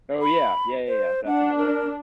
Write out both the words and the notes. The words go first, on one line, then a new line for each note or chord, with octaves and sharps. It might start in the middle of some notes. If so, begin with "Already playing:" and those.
Oh, yeah. Yeah, yeah, yeah, definitely.
B5
C5
D4 F#5
A#4